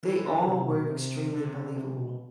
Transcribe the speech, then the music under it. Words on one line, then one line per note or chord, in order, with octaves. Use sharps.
they all were extremely believable.
E3
D3
C3
B2
C3
D3
C3
D3
C3
B2